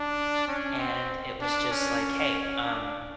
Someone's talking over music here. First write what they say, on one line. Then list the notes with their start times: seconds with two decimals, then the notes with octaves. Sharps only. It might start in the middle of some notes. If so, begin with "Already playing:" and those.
and it was just like, "Hey, um"
Already playing: D4
0.48 C#4
0.79 C4
1.41 D4
1.71 C#4
2.64 D4